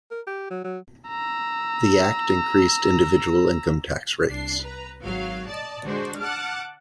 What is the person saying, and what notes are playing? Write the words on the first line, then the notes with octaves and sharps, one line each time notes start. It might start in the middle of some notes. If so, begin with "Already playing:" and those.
The Act increased individual income tax rates.
A#4
G4
F#3
F#3
A#5 E6
C2 D4 C7
B4 A#5
G#1 F#3 F5
D5 D#5 A5
D3 G#3 D4 F#4 C5
F#5 A5 D6 F6